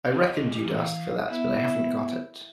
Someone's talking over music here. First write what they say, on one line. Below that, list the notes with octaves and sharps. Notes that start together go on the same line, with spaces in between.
I reckoned you’d ask for that, but I haven’t got it.
F4 G#4 D#5
G#3 G4
E3 C#4 G4
F5
B3 E4